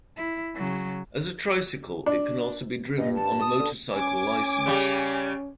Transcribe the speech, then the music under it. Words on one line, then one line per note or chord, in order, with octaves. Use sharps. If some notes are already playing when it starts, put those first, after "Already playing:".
As a tricycle it can also be driven on a motorcycle licence.
E4
C#3 F#3
D4
G2 D#5
A5
D#6
D3
C#4 G#5 D6
C#3 G3